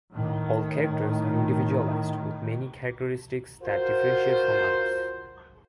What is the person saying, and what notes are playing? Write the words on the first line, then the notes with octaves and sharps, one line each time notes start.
All characters are individualized, with many characteristics that differentiate them from others.
A2 D#3
F4 F#4 A#4 C5